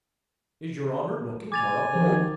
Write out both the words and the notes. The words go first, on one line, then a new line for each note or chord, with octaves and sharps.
"Is your honour looking for a boat?"
G#5 D6 A6 F7
D#3 F3